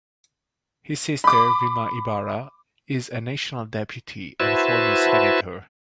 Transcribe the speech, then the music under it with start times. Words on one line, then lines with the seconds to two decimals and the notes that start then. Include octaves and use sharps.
His sister, Vilma Ibarra, is a National Deputy and former Senator.
1.24 B5 D6
4.40 E4 F#4 B4 C5 E5 A5